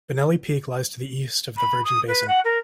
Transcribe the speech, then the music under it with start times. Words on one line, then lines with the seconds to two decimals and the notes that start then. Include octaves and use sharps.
Bonelli Peak lies to the east of the Virgin Basin.
1.56 B5
1.84 D#6
2.08 B4
2.27 F#5
2.44 A#4